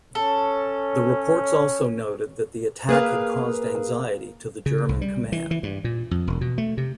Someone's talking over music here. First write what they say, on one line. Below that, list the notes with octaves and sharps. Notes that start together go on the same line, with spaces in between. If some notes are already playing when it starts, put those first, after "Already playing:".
The reports also noted that the attack had caused anxiety to the German command.
C#4 A4
A#3 G#4 B4 F5
C#3
C2
G3
E3
E3
G2
A#2
F2
E1
B2
A3
C3